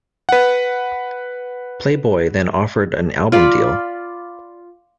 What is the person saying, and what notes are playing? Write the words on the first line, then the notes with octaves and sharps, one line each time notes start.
Playboy then offered an album deal.
B4 F#5
F4 D5 B5